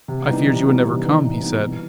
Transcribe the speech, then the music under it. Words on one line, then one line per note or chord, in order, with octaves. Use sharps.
"I feared you would never come," he said.
C3
E3 G3 B3 D#4
C3
E3 G3 B3 D#4
C3
E3 G3 B3 D#4
C3
E3 G3 B3 D#4
E3